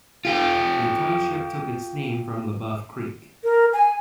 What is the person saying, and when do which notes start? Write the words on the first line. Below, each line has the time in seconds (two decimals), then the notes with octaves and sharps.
The township took its name from LeBoeuf Creek.
0.25 F4 G4
3.44 A#4
3.73 G#5